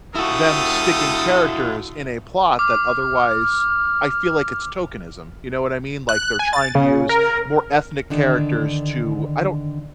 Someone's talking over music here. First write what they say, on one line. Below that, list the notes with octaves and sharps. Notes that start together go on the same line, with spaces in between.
them sticking characters in a plot that otherwise I feel like it's tokenism. You know what I mean? Like, they're trying to use more ethnic characters to I don't
E4 F#4 G4 A4 D#6
D6 F6
F#6
G#5
A6
C#3
A#4
D3 D#3 D4